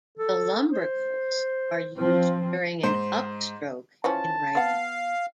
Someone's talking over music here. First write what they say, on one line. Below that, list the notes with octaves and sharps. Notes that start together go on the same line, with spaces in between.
The lumbricals are used during an upstroke in writing.
A4
C5
F3 C4
G#2 C5
E3 F3 C#4 A5
B3 F5 F#5